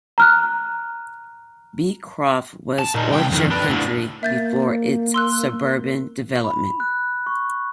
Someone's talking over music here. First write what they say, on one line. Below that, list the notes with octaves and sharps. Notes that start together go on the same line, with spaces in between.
Beecroft was orchard country before its suburban development.
A#5 F6 F#6
A5
A#2 D#4
C2 G5
F2 D#3
D4 B4
A2 D3
A#3 E5 G6 A6
C6 E6 F#6
B5
F#6
C#6